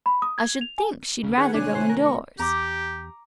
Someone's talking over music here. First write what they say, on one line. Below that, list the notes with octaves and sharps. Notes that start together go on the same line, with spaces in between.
"I should think she'd rather go indoors."
B5
D#6
G#6
F7
G#5
D#2 C#3
D#3 G#4 B4 F#5
C3 D#3 A3 D4 C#5 G#5 F#6
C5
A#4
C#6
E2 G4 A#5 D6